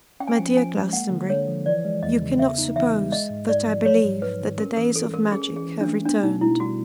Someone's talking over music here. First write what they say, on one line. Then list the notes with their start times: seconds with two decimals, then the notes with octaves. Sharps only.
'My dear Glastonbury, you cannot suppose that I believe that the days of magic have returned.
0.20 C#4 G5
0.28 G#5
0.36 F3 G5
0.56 F3 G#5
0.75 G#3
0.93 A#3 F#5
1.11 D3
1.30 D3 C#5
1.47 F3
1.66 E3 D5
1.85 G#3
2.03 E2 D#5
2.22 C#3
2.39 B3 E5
2.58 D#4
2.76 E3 E5
2.94 G#3
3.12 G#3 D#5
3.30 G#2
3.49 G#2 D5
3.67 F3
3.85 F#3 C#5
4.05 G#2
4.22 G#2 B4
4.41 D#3
4.59 C#4 A#4
4.77 E3 A#4
4.96 E3 A4
5.14 G#3 A#4
5.32 C#4 G#4
5.51 E3
5.56 G#4
5.68 E3
5.81 D4
5.86 A3
6.06 B3 D4
6.23 B2 D#4
6.41 B2 E4
6.60 G3 F#4